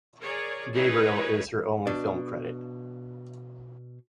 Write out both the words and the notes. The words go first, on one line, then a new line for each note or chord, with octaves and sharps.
"Gabriel" is her only film credit.
G#4 A#4 C#5 D5
D#4 E4 G#4 B4 C#5
B2 D4